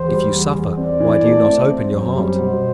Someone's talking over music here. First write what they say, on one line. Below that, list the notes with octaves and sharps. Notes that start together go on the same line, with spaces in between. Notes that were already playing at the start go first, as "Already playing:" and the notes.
If you suffer, why do you not open your heart?
Already playing: E2 C5
G3
E2
E2
C4 D5
E3
A3
C4
C4
F#2
G3 C5
B2